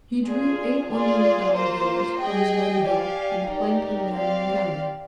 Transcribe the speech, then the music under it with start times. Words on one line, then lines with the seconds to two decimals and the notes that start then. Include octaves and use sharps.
He drew eight one-hundred-dollar bills from his money belt and planked them down on the counter.
0.24 D4 F4 G#4
0.89 F4 G#4 D5
1.54 A#3 F4 C5
2.20 G#4 D#5 G5
2.85 G4 D5 F5 G#5
3.49 D#4 G4 A#4 D5
4.14 C4 G4 D5 F5